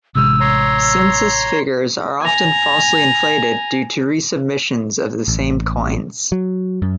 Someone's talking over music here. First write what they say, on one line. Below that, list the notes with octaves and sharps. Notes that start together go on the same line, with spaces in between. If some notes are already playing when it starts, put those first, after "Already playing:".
Census figures are often falsely inflated due to resubmissions of the same coins.
A1 C3 G#3 E6
C#5 A#5 C6
G#5 A#5
A1
F#3
F#2